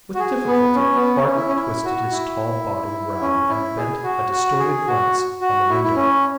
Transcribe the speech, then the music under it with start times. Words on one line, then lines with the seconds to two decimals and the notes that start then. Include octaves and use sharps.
With difficulty Clark twisted his tall body round and bent a distorted glance on the window.
0.15 F#4
0.20 G#4
0.47 B3
0.75 C#4
0.95 B3
1.16 C#4
1.26 C#4
1.36 E4
1.48 C#4
1.56 E4
1.85 F#4
2.11 E4
3.22 C#4
3.49 E4
3.77 G#4
4.03 F#4
4.32 F#4
4.59 G#4
4.87 F#4
5.41 F#4
5.69 E4
5.84 E4
5.96 C#4